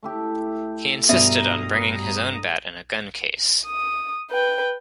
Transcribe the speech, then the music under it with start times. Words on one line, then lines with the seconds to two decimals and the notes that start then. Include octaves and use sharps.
He insisted on bringing his own bat in a gun case.
0.03 A3 E4 G4
1.09 G2 B2 D5 E5 A#5 D#6
3.66 D#6
4.31 B4 G5